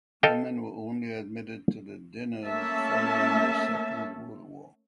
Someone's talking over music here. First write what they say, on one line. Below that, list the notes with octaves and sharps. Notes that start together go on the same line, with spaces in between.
Women were only admitted to the dinners following the Second World War.
A4 D#5 F5 G5
A3 A#3 C#4 E5 A5